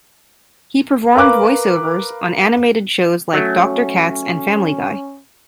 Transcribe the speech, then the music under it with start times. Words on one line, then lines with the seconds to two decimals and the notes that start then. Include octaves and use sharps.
He performed voiceovers on animated shows like Doctor Katz and Family Guy.
1.15 A#4 B4 F5 D6 F#6
3.33 F#3 A3 C#4